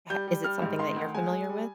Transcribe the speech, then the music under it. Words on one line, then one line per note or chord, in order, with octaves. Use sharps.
ha is it something that you're familiar with?
G3 G6
G3
G3 F6
G#2
D#3 C6
D2
G#3 G#5
G#3
G3